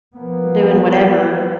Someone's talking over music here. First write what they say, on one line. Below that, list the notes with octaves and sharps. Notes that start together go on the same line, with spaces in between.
doing whatever,
F3 A#3 B3